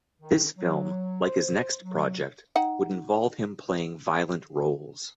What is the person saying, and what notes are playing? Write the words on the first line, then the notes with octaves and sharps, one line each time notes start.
This film, like his next project, would involve him playing violent roles.
D#3
F#3
C5
F#3
D#4 F#5 G5